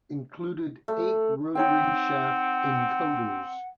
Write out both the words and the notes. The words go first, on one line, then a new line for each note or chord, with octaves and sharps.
Included eight rotary shaft encoders.
A3
C4 D#4 C#5 F#5 G5